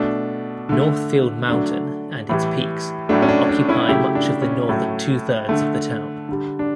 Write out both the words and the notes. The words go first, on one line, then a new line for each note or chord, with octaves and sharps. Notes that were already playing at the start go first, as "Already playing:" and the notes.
Northfield Mountain and its peaks occupy much of the northern two-thirds of the town.
Already playing: B2 A3 D4
D3 A3
D3 F#3 A3 D4
A2 E3 G3
A2 F#3 A3 D4
C#4
D4
D4
C#4 E4
C#3 F#3 A3 E4 G4
D4
C#4
A2 F#3 A3
D3 A3
D3 G3
D4